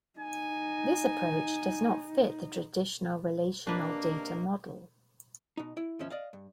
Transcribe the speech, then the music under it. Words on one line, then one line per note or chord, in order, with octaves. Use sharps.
This approach does not fit the traditional Relational Data Model.
D#4 G#5
C3 D#3 A#3 D4 B4
B2 D#4
E4
D#2 G#2 F3 C#4 E5
D5 D#5 F5
G2